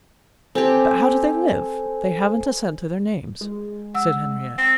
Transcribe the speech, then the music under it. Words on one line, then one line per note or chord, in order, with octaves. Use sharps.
"But how do they live?--they haven't a cent to their names," said Henriette.
C4 G4 A4 C5 G#5
G#3
F#5 E6
C4